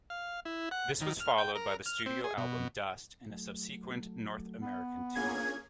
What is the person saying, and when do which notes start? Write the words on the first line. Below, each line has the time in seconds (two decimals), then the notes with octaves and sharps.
This was followed by the studio album "Dust" and a subsequent North American tour.
0.10 F5
0.45 E4
0.71 F#5
1.01 D#3
1.20 F6
1.38 G5
1.55 A#4
1.86 F6
2.06 C4
2.24 G#4
2.38 B2
3.30 F#3 A3
4.60 B3
5.16 A#3 C#4 D4 F4 G#4 G#6